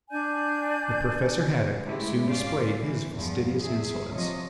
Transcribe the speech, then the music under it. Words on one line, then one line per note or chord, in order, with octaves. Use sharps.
But Professor Haddock soon displayed his fastidious insolence.
D4 D5 G#5 G6
C#3 G#3 A3 E4 G4
G#2 C#4 C5 D5 F5
E3
E2 G2 F3
E2 G#4 E5
C3 F3 C#5 D#5